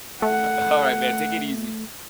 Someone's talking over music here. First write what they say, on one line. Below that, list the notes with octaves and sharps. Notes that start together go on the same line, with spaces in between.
Uh, alright, man, take it easy.
A3 F#5